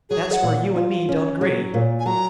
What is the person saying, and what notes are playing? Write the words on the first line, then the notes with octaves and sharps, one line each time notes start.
That's where you and me don't agree!
F#3 G#4
F#5
A#2
F4
C#4
F#3
A#2
G#5
F#3 A#5